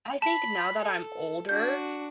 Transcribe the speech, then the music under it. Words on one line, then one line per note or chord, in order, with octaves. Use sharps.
I think now that I'm older,
A5 B5
A4
D4 F#4 G6